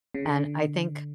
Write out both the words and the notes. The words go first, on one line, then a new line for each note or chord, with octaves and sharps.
and I think
C#3
D3